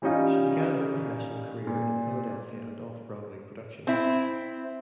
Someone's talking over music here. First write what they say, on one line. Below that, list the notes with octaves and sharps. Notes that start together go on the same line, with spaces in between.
She began her professional career in Philadelphia and off-Broadway productions.
E3 G3 C#4 D#4 F4
A#2
C4 E4